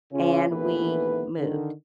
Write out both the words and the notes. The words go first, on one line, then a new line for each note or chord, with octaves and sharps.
and we moved.
C#3 C#4 F4
A#1 D#2 E3 A3 B3 B4
D3 D#3